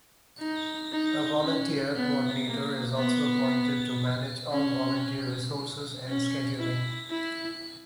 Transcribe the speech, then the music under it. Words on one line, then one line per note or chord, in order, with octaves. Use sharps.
A volunteer coordinator is also appointed to manage all volunteer resources and scheduling.
D#4
D#4
C#4
B3
A#3
B3
C#4
C#4
E4
E4